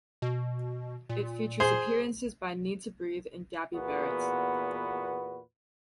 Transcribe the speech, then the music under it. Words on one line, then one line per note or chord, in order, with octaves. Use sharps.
It features appearances by Needtobreathe and Gabby Barrett.
B2
A#2
G#4 C5
E2 A#2 B3 F#4 B4